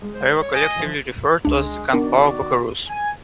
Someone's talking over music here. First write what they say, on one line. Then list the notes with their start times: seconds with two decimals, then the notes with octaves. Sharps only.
They were collectively referred to as the Kung-Pao Buckaroos.
0.02 G#3
0.14 C5
0.42 C#5
0.54 D#5 G#5
0.76 E3 F3
1.45 C#2 G#3 D4
1.93 D#3 B3 D4 F#4 A#4 D5
2.87 G#5